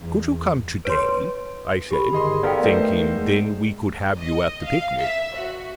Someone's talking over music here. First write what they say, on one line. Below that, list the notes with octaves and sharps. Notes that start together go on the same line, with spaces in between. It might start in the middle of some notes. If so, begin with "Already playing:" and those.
"Could you come to-day?" I said, thinking "then we could have you at the picnic!"
E2
B4 C#5 C6 D7
G4 B5
G1 D#3 G#4 D#5 C6
B3 A4 A#4 D5 F5 G5
A3 D#4 C5
G#3
D#5
F5
E5
F#4